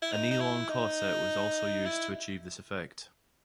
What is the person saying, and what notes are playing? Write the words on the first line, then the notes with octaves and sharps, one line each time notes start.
A knee-long corset was also used to achieve this effect.
E4
D#4
D#4
E4
D#4
E4